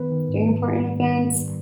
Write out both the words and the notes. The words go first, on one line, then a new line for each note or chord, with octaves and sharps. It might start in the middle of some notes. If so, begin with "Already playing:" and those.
during important events?
Already playing: D#3 B3 B4
D#3
G#2
G3
G3
G3
D#3
G3
G3